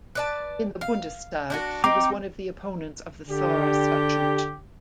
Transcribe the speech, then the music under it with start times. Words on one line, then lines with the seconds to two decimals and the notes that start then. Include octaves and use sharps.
In the Bundestag he was one of the opponents of the Saar Statute.
0.15 B4 D5 A5
0.81 F5
1.50 D4 E4 F#4
1.84 C4 D#4 G5 A#5 D6
3.28 D3 G4